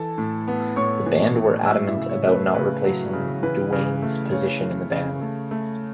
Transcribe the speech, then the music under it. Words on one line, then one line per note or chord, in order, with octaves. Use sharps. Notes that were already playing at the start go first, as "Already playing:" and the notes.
The band were adamant about not replacing Duane's position in the band.
Already playing: E3 A4 A5
A2
B3
A2 C#5 C#6
E3
A2
F#3 E5 E6
E4 E5
C#3
C#5
A3
B4
C#3 B4
F#3
C#3
E3 B4
C#3
A3
C#3 C#5
E3
C#3
A3
A3